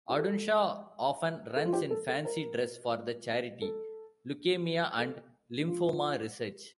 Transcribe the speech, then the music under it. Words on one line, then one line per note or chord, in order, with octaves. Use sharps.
Audenshaw often runs in fancy dress for the charity Leukaemia and Lymphoma Research.
G4
A4
A4
F4
G4
A4
A4
A#4
A4
A4
F4